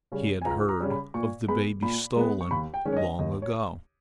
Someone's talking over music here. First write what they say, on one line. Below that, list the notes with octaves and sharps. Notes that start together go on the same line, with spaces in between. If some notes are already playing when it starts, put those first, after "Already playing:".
He had heard of the baby stolen long ago.
C#3 G3 C#4
G#5
C#2 A#5
A#5
C#3 G3 C#4
B5
A#2 C#6
G#3 B3 B5
A#2 B5
G#3 B3
C#6
D#2 B5
G5
D#3 G#3 C#4
C#5
D#5
D#2 D#5
C#5